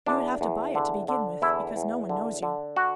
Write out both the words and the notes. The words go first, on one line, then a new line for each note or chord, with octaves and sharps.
You would have to buy it to begin with, because no one knows you.
E2 D4
E2
D3
D3
E2 E4
E2
D3
D3
F#4